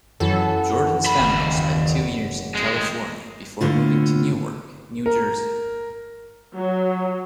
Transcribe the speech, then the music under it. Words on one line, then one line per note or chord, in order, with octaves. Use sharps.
Jordan's family spent two years in California before moving to Newark, New Jersey.
F#2 E3 F#4 A4
D#2 B5
F#1
G#3 C4
A2 D3 F4
A#4
F#3